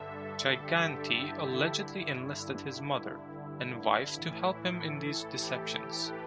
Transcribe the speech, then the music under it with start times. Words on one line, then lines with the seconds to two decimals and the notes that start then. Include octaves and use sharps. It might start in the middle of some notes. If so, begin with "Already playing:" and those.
Gigante allegedly enlisted his mother, and wife to help him in these deceptions.
Already playing: G2 D3 A4 E5
0.54 G4
1.13 E4
1.74 G2 D3
2.34 E4
3.54 E4
4.13 A2 E3 E4
4.74 A4
5.34 G4
5.64 G4
5.94 B4